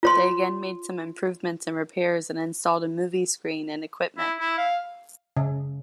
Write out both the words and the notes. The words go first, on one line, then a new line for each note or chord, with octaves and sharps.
They again made some improvements and repairs and installed a movie screen and equipment.
F4 C#5 C6
E4
E4
F5
C#3